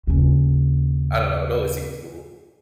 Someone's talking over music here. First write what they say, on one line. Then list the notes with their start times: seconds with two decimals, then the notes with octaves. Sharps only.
I don't know, it always seemed cool.
0.07 D#2 C#3